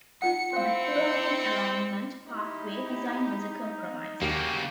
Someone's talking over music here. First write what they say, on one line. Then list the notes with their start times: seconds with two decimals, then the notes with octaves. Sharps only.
The four-lane alignment, "parkway" design was a compromise.
0.22 D#4 F4 F#5 C#7
0.53 C4 E4 C5 F5 C#7
0.96 C5 D5 D#5
2.29 D#4 E4 G4
4.22 D#2 C#3 A#3 F#4 G4